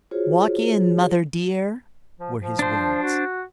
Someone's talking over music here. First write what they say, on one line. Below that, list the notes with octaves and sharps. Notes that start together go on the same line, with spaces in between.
"Walk in, mother dear," were his words.
F4 F#4 G#4 C5 C#5
F3
F3
D4 C5
F#4